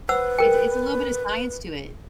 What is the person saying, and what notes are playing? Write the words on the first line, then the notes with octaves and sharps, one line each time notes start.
It's it's a little bit of science to it.
B4 C5 F#5 E6
A#4 G5